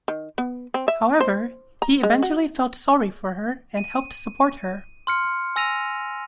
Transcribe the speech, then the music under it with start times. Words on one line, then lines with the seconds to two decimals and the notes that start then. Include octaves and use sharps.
However, he eventually felt sorry for her and helped support her.
0.08 D#3
0.38 B3
0.74 C4
0.88 E5
1.20 C5
1.82 A#5
2.03 G#3
2.22 F#4
3.77 D#7
5.07 C6 F6 C#7
5.56 G#5 E6 A#6 D#7 F7